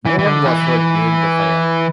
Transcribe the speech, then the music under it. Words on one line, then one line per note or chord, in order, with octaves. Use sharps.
No one was hurt during the fire.
E3
E3
D3
E3